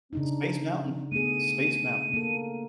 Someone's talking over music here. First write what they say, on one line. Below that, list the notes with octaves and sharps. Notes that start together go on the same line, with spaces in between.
Space Mountain. Space Mountain.
C#3 D4 D#4
A3 B3 G#4 D#7
A#3 A4